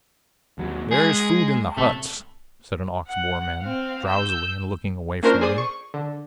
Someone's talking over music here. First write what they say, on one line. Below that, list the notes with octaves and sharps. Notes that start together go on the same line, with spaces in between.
"There is food in the huts," said an Ox-boar-man, drowsily, and looking away from me.
D#2 F#3
G#3 G#4
A2 C3 A3
F#5
C4 F5
E6 G6
A#3 C#4 D4 F4 A#4 C5
G#4 C5 D5 D#6 C7
C#6
D3